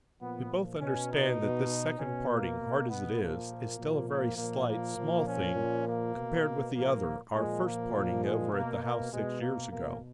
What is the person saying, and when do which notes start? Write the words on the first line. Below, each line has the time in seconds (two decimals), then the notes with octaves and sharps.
We both understand that this second parting, hard as it is, is still a very slight, small thing compared with the other, our first parting over at the house six years ago.
0.21 A#2 F3 B3
0.81 B2 C#4
1.11 D#4
1.41 B2
1.99 B2 C#4
2.30 A#3
2.60 B2
2.89 B3
3.18 A#2 F3 A#3
3.78 A#2 F3
4.08 A#3
4.37 A#2 F3 A#3
4.67 A#3
4.96 A#2 F3
5.26 C#4
5.55 A#2 F3
5.86 A#3
6.16 B2
6.75 A#2 F3 A#3
7.35 A#2 F3 G#3
7.63 A#3
7.93 A#2 F3
8.24 G#3
8.52 B2 A#3
8.82 A#3
9.12 B2 G#3
9.41 A#3
9.71 B2 A#3